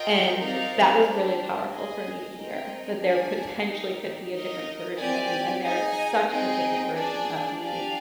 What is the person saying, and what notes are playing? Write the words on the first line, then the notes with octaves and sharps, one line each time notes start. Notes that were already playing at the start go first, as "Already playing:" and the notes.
and that was really powerful for me to hear, that there potentially could be a different version of me, and there is such a different version of me,
Already playing: F4 A#4 D#5 G5
C4 D#4 A#4 D5 F5
D4 G4 C5
G#4 D#5 G#5
C4 D#4 A#4 D#5 G5
D4 G#4 D5 G#5
D#4 G4 A#4
D#4 A#4 D#5
C4 G4 D5 G#5
D#4 G#4 D#5 G#5
C4 D#4 G#4 D#5 G5
D4 G#4 D5 G#5
D4 G4 D5 F5 G#5